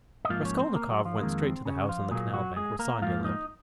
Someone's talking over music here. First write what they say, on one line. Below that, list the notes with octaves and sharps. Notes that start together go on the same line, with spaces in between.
Raskolnikov went straight to the house on the canal bank where Sonia lived.
D#5
G#2 F3 A#3 F4 F5
C#4 C#5
C4 C5
A#3 A#4
F#3 F#4
F3 F4
F2 D#3 G#3 A#3
C4
C#3 C#4
F#4
F3 F4
A#2 F#3 G#3 A#3 G#4
F#3 F#4
G#3 G#4
A#3 A#4
G#2 F3 A#3 F4 F5
D#4 D#5